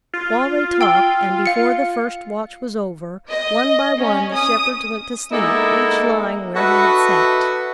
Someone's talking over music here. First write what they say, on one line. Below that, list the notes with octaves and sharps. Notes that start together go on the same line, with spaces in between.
While they talked, and before the first watch was over, one by one the shepherds went to sleep, each lying where he had sat.
F4
G5 E6 G7
F5 C#7
D#5
C#4
D#6
G#3 A#3 B3 D#4 E4 A4
D4 F#4 A4 B4 D#5 E5